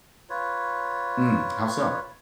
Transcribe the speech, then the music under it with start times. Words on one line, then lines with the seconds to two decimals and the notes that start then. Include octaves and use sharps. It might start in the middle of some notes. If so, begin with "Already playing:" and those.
Hmm, how so?
0.30 F4 B4 C#5